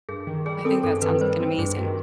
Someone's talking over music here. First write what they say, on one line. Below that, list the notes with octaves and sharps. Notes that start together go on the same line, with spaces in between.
I think that sounds like an amazing
G2 G#4
D#3
G3 G#4
C4 A4
G2 A4
D#3 B4
G3 C5
C4
G2 G#4
D#3 F#4